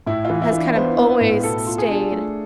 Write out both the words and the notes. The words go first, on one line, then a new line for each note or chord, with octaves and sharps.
has kind of always stayed
A2 E4
E3 F4
E4
E3
D4
B3 C5
B3
B4
A2
B2 A4
F4
G#4
D4
A3